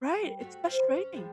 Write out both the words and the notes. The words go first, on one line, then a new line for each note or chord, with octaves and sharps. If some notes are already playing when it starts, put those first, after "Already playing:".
Right, it's frustrating.
G3
A3 F#4 G4
F4 C5 E5
F3
C#4
F3 G3 G#3